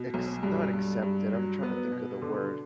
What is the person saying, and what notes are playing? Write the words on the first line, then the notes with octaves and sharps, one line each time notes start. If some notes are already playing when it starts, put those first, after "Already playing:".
acc not accepted, I'm trying to think of the word.
Already playing: B2
B1
G2
G2
G2
F#3
B3
B2
D3